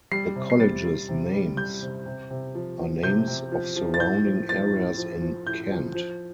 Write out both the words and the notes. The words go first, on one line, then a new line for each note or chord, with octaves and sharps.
The college's names are names of surrounding areas in Kent.
G3 C7
C3
C7
G3 A6
G3
C3
G3
G3 G6
C3
C3
C3
F3
F3
C3 G6
C3
F3
F3
A6
A2 G6
F3
F3 A6
A2
F3
F3
A2 G6
F3
F3